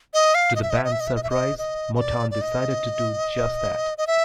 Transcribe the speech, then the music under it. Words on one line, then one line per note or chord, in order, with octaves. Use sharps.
To the band's surprise, Motown decided to do just that.
D#5
F5
D#5
E5
D#5
E5
D#5
E5
D#5
E5
D#5
E5
D#5
D#5
D#5
D5
D5
D#5
D#5
E5